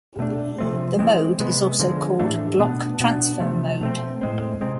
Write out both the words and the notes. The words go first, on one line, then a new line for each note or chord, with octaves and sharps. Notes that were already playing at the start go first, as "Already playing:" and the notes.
The mode is also called "Block Transfer Mode".
B2 A3 D4
C3 F3 A3 C4
E3 G#3 C4
C3 G#3 B3
D3 F3 G#3
A2 E3 A3 D4
B2 B3 D4
B2 B3 D4
C3 F3 A3
B2 A3 C4
A2 G#3 C4
C3 G#3 C4